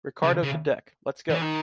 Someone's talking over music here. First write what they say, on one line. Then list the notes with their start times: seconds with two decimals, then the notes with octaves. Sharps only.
Ricardo to deck, let’s go!
0.23 C#3
0.43 C#3
1.30 E3
1.42 D#3